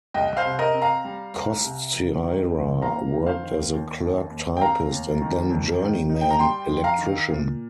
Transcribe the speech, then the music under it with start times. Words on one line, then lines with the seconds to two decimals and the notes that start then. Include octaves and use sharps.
Kostyra worked as a clerk-typist and then journeyman electrician.
0.14 C2 D#5 G5
0.37 C5 F5
0.45 C3
0.59 A#4 D#5
0.74 C4
0.82 F5 A#5
1.05 G3
1.34 C2
1.64 C3
1.94 F2
2.23 D#3
2.53 F2
2.82 A#3 F5 A#5
3.12 F2
3.27 C5 F5
3.42 D#3
3.72 D#2
4.01 D#3
4.31 D#2
4.57 G5
4.61 C4 F5 A#5
4.91 D#2
5.21 D#3
5.50 F2
5.80 D#3
6.09 D#4
6.21 G5
6.31 A#5
6.39 G3 G5 C6
6.69 F2
6.84 F5 A#5
6.98 D#3
7.29 A#2